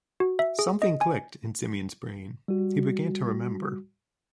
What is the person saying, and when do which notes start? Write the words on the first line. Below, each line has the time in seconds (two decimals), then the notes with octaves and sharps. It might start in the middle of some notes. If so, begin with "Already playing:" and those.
Something clicked in Simeon's brain. He began to remember.
0.20 F#4
0.39 E5
0.59 G#4
0.82 D#5
1.01 G#5
2.48 G3 F#4